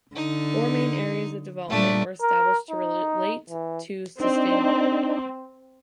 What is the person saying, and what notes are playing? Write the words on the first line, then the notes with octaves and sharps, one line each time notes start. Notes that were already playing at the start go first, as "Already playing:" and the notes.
Four main areas of development were established to relate to sustainability.
D3 D#4
A#2 G3 A3 D4
A#4
D#4
E3
C4 D4 D#4